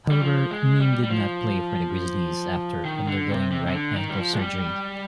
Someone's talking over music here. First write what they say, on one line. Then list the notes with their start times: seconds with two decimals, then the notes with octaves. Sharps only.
However, Mihm did not play for the Grizzlies after undergoing right ankle surgery.
0.11 G3
0.21 F3
0.51 G#3
0.81 G3
1.03 G3
1.10 F3
2.85 D#3
3.07 D3
3.30 C3
3.51 C3
3.67 C3
3.74 D3
3.96 D#3
4.10 G3
4.18 F3
4.33 G#3
4.39 G3